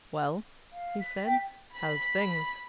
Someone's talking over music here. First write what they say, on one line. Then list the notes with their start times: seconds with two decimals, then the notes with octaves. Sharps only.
"Well," he said, "how's things?"
0.73 F5
1.00 B6
1.25 G5
1.75 B5